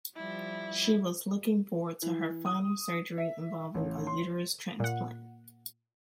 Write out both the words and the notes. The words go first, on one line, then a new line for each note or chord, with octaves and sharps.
She was looking forward to her final surgery involving a uterus transplant.
F3 G3 E4
E3
D#6
E5
A1
C6
A#2 F#5